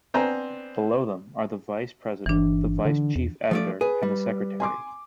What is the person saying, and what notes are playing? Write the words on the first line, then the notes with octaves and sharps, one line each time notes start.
Below them are the vice president, the vice chief editor, and the secretary.
B3 C4 D4 C5 G#5 A#5
G1 E3 D4
D3
E2
F3 A3 D5
G#4 B4
G3
G#5 C6 D6